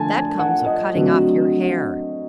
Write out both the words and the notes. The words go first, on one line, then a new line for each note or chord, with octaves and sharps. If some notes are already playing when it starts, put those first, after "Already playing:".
"That comes of cutting off your hair."
Already playing: D3 F3 A3 G#5 A5
G#5
F#5
D#5
D3 F#3 A3 C4